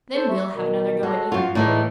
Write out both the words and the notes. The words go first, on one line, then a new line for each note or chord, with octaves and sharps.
Then we'll have another go at you.
A4 C5 A5
E5 C#6
B2 D#3
G#3 F#4 A4 F#6
F#2 F4 F#4 C#6
A2 E3 G#3 D#4 E4 D5